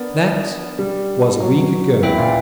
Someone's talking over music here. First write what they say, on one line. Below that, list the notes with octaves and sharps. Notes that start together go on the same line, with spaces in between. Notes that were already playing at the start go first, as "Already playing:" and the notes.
That was a week ago.
Already playing: B3 D4 A#4 D5
G3
F#3
E3 A#3 E4 B4 E5 G5
A#2